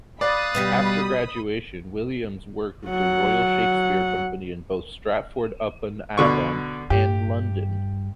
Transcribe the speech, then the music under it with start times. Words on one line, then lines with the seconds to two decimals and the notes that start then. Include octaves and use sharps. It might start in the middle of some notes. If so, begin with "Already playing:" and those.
After graduation, Williams worked with the Royal Shakespeare Company in both Stratford-upon-Avon and London.
0.21 D5 F5 B5 D#6 F#6 A6
0.55 B2 G3 B3
2.87 F#3 F#5
6.18 B2 D3 C#6
6.90 G2 G4